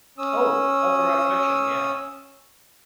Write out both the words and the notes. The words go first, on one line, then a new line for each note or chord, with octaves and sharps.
Oh, all throughout fiction, yeah.
C#4 D#6 E6